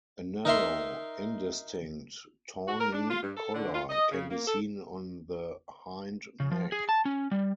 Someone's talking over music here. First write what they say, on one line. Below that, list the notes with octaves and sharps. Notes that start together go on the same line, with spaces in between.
A narrow, indistinct tawny collar can be seen on the hindneck.
D#4 A#4 E5 C6
F#4
A#4
D4
F4
G2
A4
D3
F4
D#5
C#3
A#3
A4
C#3
F3
G#4
A5
C#4
G3